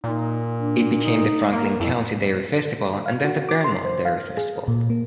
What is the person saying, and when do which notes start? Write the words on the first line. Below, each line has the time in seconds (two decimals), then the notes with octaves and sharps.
It became the Franklin County Dairy Festival and then The Vermont Dairy Festival.
0.04 A#2 D#4
0.59 D4
1.03 D#4
1.53 A#3
1.80 F2 E4
3.06 F5
3.24 F#4
3.49 D6
3.64 C6
3.85 C5
4.05 F5
4.37 G#4
4.68 A#2
4.90 A#3